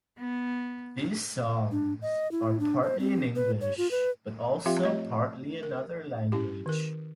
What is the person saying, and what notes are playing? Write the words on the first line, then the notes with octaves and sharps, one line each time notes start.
These songs are partly in English, but also partly another language.
B3
D4
D#5
E4
D4
C5
C4
B4
C#5
F4
B4
F3 C4 F4 G4 E5 F5
A3 C#5 D#5
A#4
C#4 E4 G4
D#3 A#4